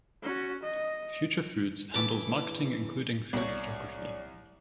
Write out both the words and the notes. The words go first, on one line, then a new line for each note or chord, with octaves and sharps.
Future Foods handles marketing including food photography.
C#4 F#4
D#5
C#3 E3 A5 D6
C2 C#5 D5